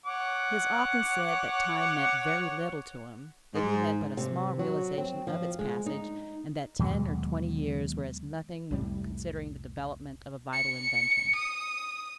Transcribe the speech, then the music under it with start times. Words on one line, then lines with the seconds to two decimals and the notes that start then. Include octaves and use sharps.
He has often said that time meant very little to him, that he had but a small realization of its passage, and that ten or twenty years were as nothing when considering the development of a vital invention.
0.06 C#5 F#5 D6
3.54 G#2
4.17 C3
4.59 F#3
4.98 C4
5.27 F3
5.59 G#3
5.86 D#4
6.79 D#2 B2 F#3 G#3
8.71 C2 F2 A2 G3
10.53 C#7
11.36 D#6